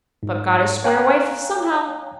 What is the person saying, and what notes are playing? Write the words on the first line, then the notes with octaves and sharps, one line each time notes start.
But gotta square wife somehow.
G#2
C#5 F5 G5 G#5 A#5 F#6